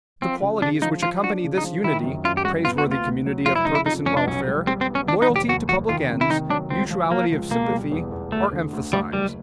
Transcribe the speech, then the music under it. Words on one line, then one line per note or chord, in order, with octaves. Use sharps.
The qualities which accompany this unity, praiseworthy community of purpose and welfare, loyalty to public ends, mutuality of sympathy, are emphasized.
F3 C4
C#3
C#3 D4
F3 D#4
F3 F4
D4 F#4
C#3
D#4
F3
D#3 E4
F#2
F#2 F4
G4
G3 F#4
B3 F4
F#4
D2
F4
D2
F#3
F1 F4
E4
C#3 D#4
E4
F2 D#4
F1 C#4
D4
B1 C#4
G3
G3 C4
C4
B3
C#4
D#3 D4
D#4
F1
G4
D#2 F#4
F1 F#4
D#3 F4
C3
E4
D#3 D#4
F#3 D4
C#2 C4
F3
F3 A#3
C#2
B2 A#3
G3
E2
E2
D2 A3
D3
D2
D2 G3
F#1 G3